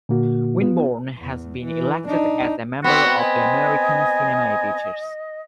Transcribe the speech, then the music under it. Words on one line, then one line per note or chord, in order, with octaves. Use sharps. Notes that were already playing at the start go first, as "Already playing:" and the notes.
Winborne has been elected as a member of the American Cinema Editors.
A#2 D3 A#3 F#4
B3 F4
E2
E3
D4 D#4
B3 C4 F#4
D#5 G#5